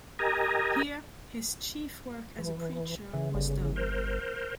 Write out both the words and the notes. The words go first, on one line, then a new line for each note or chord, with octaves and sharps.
Here his chief work as a preacher was done.
G4 A#4 D#5 G#5 A#5
E3
C#3 E3
G1
A#4 C5